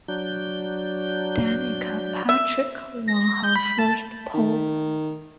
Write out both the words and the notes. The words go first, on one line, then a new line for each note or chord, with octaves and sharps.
Danica Patrick won her first pole.
F#3 D4 G6
E5
A#6
G6
B5
A5
D#3